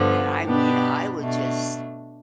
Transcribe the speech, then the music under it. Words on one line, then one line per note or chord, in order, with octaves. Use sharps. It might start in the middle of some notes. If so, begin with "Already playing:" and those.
and I mean, I would just
Already playing: G2 D3 F3 B3
B2 B3 D4 G4
B2 A3 D4